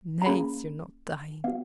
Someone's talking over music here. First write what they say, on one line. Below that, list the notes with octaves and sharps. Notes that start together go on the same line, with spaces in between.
Nace! you're not dying!
A#5
A#3 C#4 G#4 B5
B3 F#4 F5